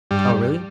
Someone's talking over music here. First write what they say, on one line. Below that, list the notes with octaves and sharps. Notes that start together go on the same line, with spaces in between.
Oh, really?
G2 G3